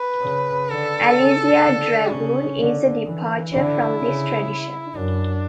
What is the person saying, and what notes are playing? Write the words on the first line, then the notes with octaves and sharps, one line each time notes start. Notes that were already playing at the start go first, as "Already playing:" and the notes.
"Alisia Dragoon" is a departure from this tradition.
Already playing: B4
C#3
D3 A4
C#3
D3
C#3 C#4
D3
E3
D3 E4
C#3
F#2 D4